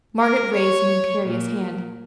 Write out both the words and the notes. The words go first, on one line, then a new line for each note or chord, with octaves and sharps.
Margaret raised an imperious hand.
A#4
C#5
A#2